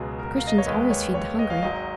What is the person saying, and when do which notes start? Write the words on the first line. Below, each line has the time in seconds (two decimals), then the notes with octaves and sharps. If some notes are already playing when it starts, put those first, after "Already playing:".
Christians always feed the hungry.
Already playing: C#2 B2 F#3 G#4
0.19 A#4
0.38 F5
0.47 D#5
0.58 C#5
0.67 D#2 D#3 G#3 B4
0.85 B4
0.90 C#5
1.14 C#5
1.39 D#5
1.50 F5
1.62 G#1 G#2 F#3 D#5